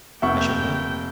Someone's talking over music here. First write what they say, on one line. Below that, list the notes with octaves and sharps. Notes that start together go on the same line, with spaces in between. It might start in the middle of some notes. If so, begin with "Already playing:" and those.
"I should like."
F1 A#3 E5 F#5 G5 C#6